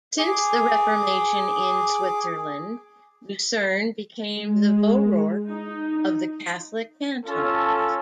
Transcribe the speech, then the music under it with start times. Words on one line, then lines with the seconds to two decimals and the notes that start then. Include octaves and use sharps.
Since the Reformation in Switzerland, Lucerne became the Vorort of the Catholic cantons.
0.18 G#4 D6
4.37 G#3
5.48 D#4
7.26 C#4 F4 A4